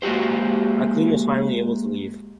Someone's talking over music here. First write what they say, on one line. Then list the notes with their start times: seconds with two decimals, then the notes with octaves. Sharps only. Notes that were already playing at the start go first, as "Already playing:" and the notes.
Maclean was finally able to leave.
0.02 G#3 A#3 F#4 G4 C5